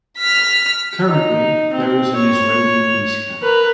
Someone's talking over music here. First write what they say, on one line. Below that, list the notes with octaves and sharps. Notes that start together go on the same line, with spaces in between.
Currently, there is an Israeli peace camp.
F6 B6
D#4
C4
C#5
A#4 B4